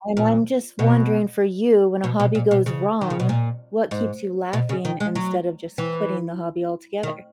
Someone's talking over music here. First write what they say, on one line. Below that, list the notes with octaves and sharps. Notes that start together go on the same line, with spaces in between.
And I'm just wondering, for you, when a hobby goes wrong, what keeps you laughing, instead of just quitting the hobby altogether?
A#2
B2
B2
B2
A#2
B2
C#3
D#3
C#3
B2
A#2
G#2
B2
C#3
D#3
G#3
F#3
E3
D#3